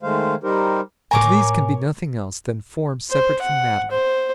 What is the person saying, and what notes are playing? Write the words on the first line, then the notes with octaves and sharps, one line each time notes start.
But these can be nothing else than forms separate from matter.
D#3 G#3 A3 C5 F5
G3 D#4 G4 A#4 C5
A2 A#4 C#5 G#5 D6
C5
F#5
C5